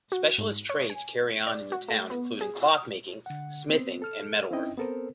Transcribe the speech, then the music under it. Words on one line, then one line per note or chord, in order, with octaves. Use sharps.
Specialist trades carried on in the town included cloth-making, smithying, and metalworking.
F#4
G#2
C#5
G#5
D5
F#4
A3
B3
G#4
D3 F#5
B3 C4
A4 F6
C4 C#4 D#4 E4 D#5 G5
B3 C4 A4 A#4 C5